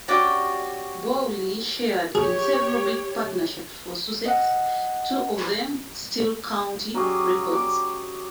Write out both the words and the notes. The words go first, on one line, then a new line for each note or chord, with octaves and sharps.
Bowley shared in several big partnerships for Sussex, two of them still county records.
C#4 F#4 G4 D5
G4 G#4 C#5
D#5 F#5
F#3 C#4 G4 G#4
D6